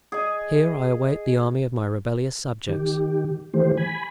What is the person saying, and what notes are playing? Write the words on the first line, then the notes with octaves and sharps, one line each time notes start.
Here I await the army of my rebellious subjects.
G#4 D#5
D#3 G4
D#3 E3 A3 G4 C5
G#5 B5